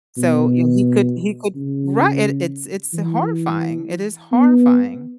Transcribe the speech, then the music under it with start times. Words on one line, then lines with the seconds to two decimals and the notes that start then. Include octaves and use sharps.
So, you know, he could he could Right, it it's it's horrifying, it is horrifying
0.17 B2
1.56 C#3
2.94 E3
4.32 B3